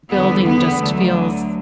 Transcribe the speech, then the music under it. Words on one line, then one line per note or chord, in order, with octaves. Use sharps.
building just feels
E2 D3 G3 B3
B3
D2 D3 F#3 A3